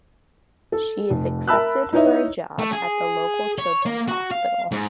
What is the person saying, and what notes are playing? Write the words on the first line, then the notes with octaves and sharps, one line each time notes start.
She is accepted for a job at the local children's hospital.
A4
F1
A#4 E5 A5 B5 E6 F#6
D#4 E4 B4 C#5 D#5 E5
A3
G#4
C#5
A#3
F#4
F5
G#2